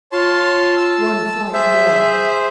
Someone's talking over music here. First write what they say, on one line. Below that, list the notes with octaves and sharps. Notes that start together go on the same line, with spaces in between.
One flight more!
F4 C#5 A5 C6
A5 E6
G#4 C5 E5